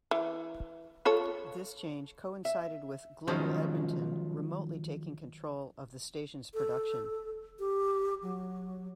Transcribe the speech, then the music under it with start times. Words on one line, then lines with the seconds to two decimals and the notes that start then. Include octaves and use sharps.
This change coincided with Global Edmonton remotely taking control of the station's production.
0.11 E3
1.05 F4 A4 C#5
2.45 E5
3.27 D#3 F3 F#3 G#3 C#4
6.54 A4
7.59 G4
8.23 F#3